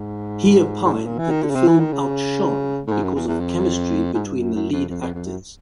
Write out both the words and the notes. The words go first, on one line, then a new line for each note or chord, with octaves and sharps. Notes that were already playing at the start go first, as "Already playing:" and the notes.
He opined that the film outshone because of chemistry between the lead actors.
Already playing: G#2
G#2
A2
A#2
E3
D#3
D3
C#3
C3
E3
D#3
C#3
A2
G#2
F#2
E2
E2
F2
G#2
G2
F#2
F#2
F2
F2
F2
F2
F#2